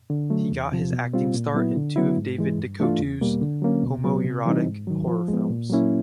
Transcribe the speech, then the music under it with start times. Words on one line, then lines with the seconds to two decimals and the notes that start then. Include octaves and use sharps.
He got his acting start in two of David DeCoteau's homoerotic horror films.
0.10 D3
0.30 F#3 A3
0.51 E2
0.72 C3 F3
0.93 B2
1.13 G3 C4 F4
1.34 A#2
1.54 F#3 B3 E4
1.76 D3
1.96 F#3 B3 E4
2.17 G#2
2.38 E3 G#3
2.58 G2
2.80 E3 A3 D4 F4
3.01 E2
3.21 B2 G3 A#3
3.42 D3
3.62 F#3 A#3 C#4
3.83 B2
4.05 F#3 B3
4.24 C3
4.46 E3 G3 C4 D#4
4.67 G#2
4.87 D#3 F#3
5.08 F3
5.28 G#3
5.34 B3
5.50 A#2
5.70 F#3 A#3 C#4 E4